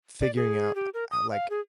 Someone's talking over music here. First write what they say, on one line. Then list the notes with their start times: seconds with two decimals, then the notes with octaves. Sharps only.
figuring out I I like
0.21 D5
0.36 G#4
0.75 G4
0.94 A#4
1.11 D#6
1.31 F5
1.50 G#4